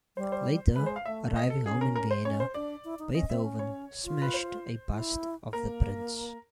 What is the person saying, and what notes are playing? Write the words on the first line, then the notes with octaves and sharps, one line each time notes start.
Later, arriving home in Vienna, Beethoven smashed a bust of the Prince.
G3 C5
C5
G#3 B4
C5
F5
A3 E5
D#5
A4
C#4 G#4
A#4
A#4
C5
C#4 C#5
C5
D4 D5
E4
D#4
C#4 D#5
C4 E5
C#4
C#5
F4
B4
C5
E4
A#3 A#4